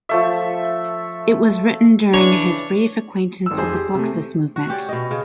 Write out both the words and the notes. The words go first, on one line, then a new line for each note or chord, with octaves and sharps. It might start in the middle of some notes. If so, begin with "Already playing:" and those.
It was written during his brief acquaintance with the Fluxus movement.
F3 A3 E5
C#3 E3 D4 C#5
G#1 E6
F2 G#4 C5
G4
C3 A3
F#4
C#4 G4 C#5 D5
B2 D#5
C#3